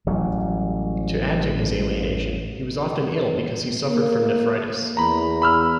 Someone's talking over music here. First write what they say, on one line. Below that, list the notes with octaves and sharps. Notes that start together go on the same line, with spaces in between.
To add to his alienation, he was often ill because he suffered from nephritis.
A1 F#3 G3
A#3
E2 A#5 B5
B5 E6 F6